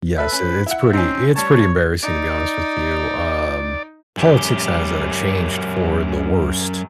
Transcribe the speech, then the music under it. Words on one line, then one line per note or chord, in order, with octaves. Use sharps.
yes, i it's pretty it's pretty embarrassing, to be honest with you, um, politics has, uh, changed for the worst.
A4 B4 E5
C#4
E4 E5 F#5
C4 C#4 D#4
G3 C#5 A5
D#4 D5
F#2 G4